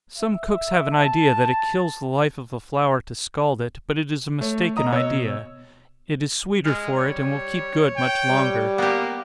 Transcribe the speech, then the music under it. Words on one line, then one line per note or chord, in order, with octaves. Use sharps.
Some cooks have an idea that it kills the life of the flour to scald it, but it is a mistaken idea--it is sweeter for it, and will keep good much longer.
E5
A5
A3 C#5
D#5 A#5 D#6
B2 C#5 D#5 E6
G#3 F6
G3 C#5
G5
G3
A#3 B3 G4